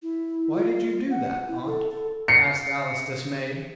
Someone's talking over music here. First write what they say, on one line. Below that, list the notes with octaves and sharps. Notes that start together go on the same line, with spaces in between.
"Why did you do that, aunt?" asked Alice, dismayed.
E4
F4
F#5
E4
A4
A4
C7 C#7